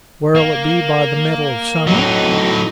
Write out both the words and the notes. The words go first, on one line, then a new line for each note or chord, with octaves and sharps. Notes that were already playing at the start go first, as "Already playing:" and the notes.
Where'll it be by the middle of summer?
A#3
A2 F#3 D#4